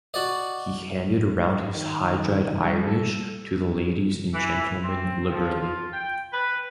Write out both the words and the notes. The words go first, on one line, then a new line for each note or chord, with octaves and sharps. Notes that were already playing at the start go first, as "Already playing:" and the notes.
He handed round his high-dried Irish to the ladies and gentlemen liberally.
F#4 D5 D#5
D#3
G3
A4
E3
C4
F3
F4
G5
B4